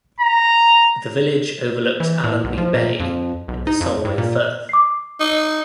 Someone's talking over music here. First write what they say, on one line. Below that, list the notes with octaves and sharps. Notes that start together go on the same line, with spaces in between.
The village overlooks Allonby Bay in the Solway Firth.
A#5
E3
A2
B1
F3
A#2
F2
B1
D#4
F2
G2
A#2
D6 C7
D#4